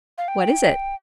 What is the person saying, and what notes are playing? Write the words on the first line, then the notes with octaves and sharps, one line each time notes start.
"What is it?"
F5
G5